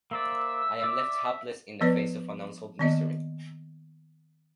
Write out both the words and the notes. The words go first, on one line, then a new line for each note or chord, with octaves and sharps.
I am left hapless in the face of an unsolved mystery.
A#3 C5 D5 E5 E6
D5 D6
F3 B3 B4 C#5 D5
D#3 A#3 B3 D5 D#5